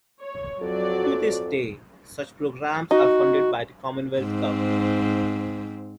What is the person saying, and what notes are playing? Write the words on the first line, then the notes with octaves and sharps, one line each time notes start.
To this day such programs are funded by the Commonwealth Government.
C#5
F2 F#3 F#4 D5
D#4 F#4
G#2 C4